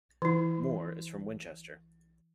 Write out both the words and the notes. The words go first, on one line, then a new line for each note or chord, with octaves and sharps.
Moore is from Winchester.
E3 E4